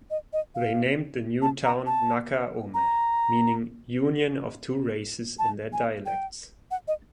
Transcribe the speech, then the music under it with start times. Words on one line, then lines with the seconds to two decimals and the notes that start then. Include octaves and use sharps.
They named the new town "Naca-Ome", meaning "union of two races" in their dialects.
0.11 D#5
0.33 D#5
0.55 F5
1.42 A5
1.65 A#5
1.86 A5
2.74 A#5
5.39 A5
5.73 G#5
6.06 G5
6.71 F#5
6.88 D#5